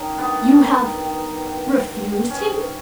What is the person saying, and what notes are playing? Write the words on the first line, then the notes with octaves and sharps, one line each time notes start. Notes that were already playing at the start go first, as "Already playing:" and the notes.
"You have--refused him?"
Already playing: D#3 C#4
G2 B3
D#3
D#3
G2
G2
G#2 C#4